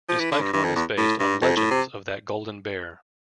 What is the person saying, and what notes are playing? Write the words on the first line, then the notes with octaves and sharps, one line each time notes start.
This icon is based on legends of that golden bear.
F3
E3
D3
G2
G2
F2
E2
A2
G2
F2
A2
C3